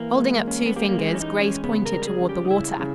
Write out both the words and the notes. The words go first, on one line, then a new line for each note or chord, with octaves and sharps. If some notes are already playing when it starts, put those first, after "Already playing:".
Holding up two fingers, Grace pointed toward the water.
Already playing: E3 A#3
G#3
C#4
B3
A#3 G4
A#3
G#3
E3
C#4
D#4
G#3
C#4
C#3 B3
A#4
G3
G4
G#4
C#4
G4
D#4
C#3 E4
C#3